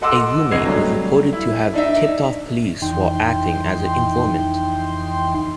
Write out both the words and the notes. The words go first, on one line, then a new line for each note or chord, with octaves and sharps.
A room-mate was reported to have tipped off police, while acting as an informant.
A4 D#5 F#5 C6 D6 E6
G1 C3 D#5 G#6 C7
F#3 G3 A3
E4
D4 D#4 E5
F2 E3 D#4 G5 C6